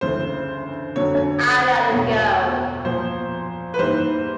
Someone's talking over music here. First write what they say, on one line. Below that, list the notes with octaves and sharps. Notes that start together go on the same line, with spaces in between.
But I let it go.
D2 C#3 E3 C5
F2 D3 F#3 C#5
E2 B2 F#3 A3
A#2 F3 A#3 C5
B4
G#2 E3 G3 A#3 C5